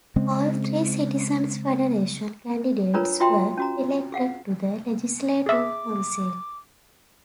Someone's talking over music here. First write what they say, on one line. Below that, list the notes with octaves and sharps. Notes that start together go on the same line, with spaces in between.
All three Citizen's Federation candidates were elected to the Legislative Council.
C#3 G#3 C4
D4 F4 A#4 B4 C#5 A#5
F4 F#4 E5 G5 A#5 C6
C#4 F#4 A#5
G#4 F5 F#5
G#4 E5 D6